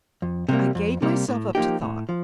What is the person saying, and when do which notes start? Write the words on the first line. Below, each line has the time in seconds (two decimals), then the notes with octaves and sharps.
I gave myself up to thought.
0.22 F2
0.49 C3 G3 A#3
0.75 F2
1.02 C3 G3 A#3
1.28 A2
1.55 F3 A#3 D#4 G4
1.82 A2
2.09 F3